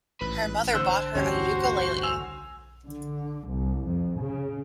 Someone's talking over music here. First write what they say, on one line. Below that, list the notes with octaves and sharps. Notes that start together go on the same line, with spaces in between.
Her mother bought her a ukulele.
A1 G#2 B4
D3 C5 E6 F#6
D2 G2 E3 C#4 F#4 G4 C5
G#5 E6 F7
D3
C2
F2
C#3